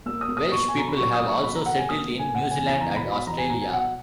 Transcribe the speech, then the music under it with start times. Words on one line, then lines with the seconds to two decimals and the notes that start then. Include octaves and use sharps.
Welsh people have also settled in New Zealand and Australia.
0.06 A#3 E6
0.21 D#6
0.29 A#3
0.37 D#6
0.52 B2 C#6
0.69 G#5
0.75 B2 A#5
0.88 B5
0.97 F#3 C#6
1.13 D#6
1.20 A#3
1.29 C#6
1.43 B2 B5
1.55 A#5
1.66 B2 F#5
1.78 G#5
1.89 A#3 D#6
2.12 A#3
2.19 G#5
2.35 C#3 F#5
2.51 G#5
2.58 E2
2.66 G#5
2.81 E2 A#5
2.96 B5
3.04 B2
3.12 B5
3.27 E2 A#5
3.38 G#5
3.50 B2 A#5
3.62 G#5
3.73 B2 F#5